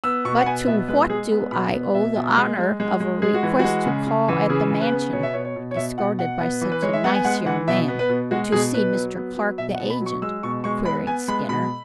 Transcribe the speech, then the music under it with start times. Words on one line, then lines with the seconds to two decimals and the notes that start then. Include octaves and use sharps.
"But to what do I owe the honor of a request to call at the Mansion, escorted by such a nice young man, to see Mr. Clark, the agent?" queried Skinner.
0.04 B3 E6
0.25 B2 C#6
0.40 F#5
0.46 B3 G#5
0.67 B2 E5
0.88 G#3 B4
1.10 G#3 G#4
1.32 B3
1.52 B2 B5
1.74 B3
1.94 B2 E5
2.16 B2
2.37 G#3
2.58 G#3
2.80 G#3
3.00 G#3
3.22 G#3 G#4
3.34 F#4
3.43 E3
3.59 G#3 F#4
3.86 C#3
4.07 C#3
4.28 E3
4.49 C#3 G#4
4.71 C#3
4.81 B4
4.92 B3
5.13 B2 C#5
5.23 E5
5.33 B2 C#5
5.45 C#5
5.56 B2
5.71 C#5
5.76 B2 E5
5.98 B2 F#5
6.19 B2 F#5
6.41 B3
6.61 E3
6.72 B4
6.82 G#3 C#5
6.93 E5
7.04 B3 F#5
7.15 G#5
7.25 G#3 F#5
7.46 E3 F#5
7.68 B2 E5
7.88 B3
7.99 B4
8.09 B2
8.31 G#3 F#4
8.52 B2 G#4
8.74 B2 B4
8.95 F#3
9.16 B3
9.37 F#3
9.58 B2 E5
9.75 F#5
9.79 B2
9.90 B5
10.01 F#3
10.06 C#6
10.22 G#3 E6
10.43 B2 C#6
10.64 G#3 C#6
10.85 B3 B5
11.07 B3 G#5
11.28 G#3 B5
11.49 B2 B5